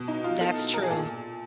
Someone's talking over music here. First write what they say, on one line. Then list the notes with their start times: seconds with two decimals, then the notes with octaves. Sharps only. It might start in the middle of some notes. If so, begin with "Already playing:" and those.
That's true.
Already playing: B2
0.08 D#4
0.24 F4
0.41 A4
0.74 A#4
0.83 G#4
0.90 A#2 A4